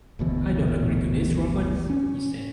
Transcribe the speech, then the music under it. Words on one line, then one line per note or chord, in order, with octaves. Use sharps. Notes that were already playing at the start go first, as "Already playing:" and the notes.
"I don't agree to this, Roberts," he said.
F#1 D2 B2 E3
C#4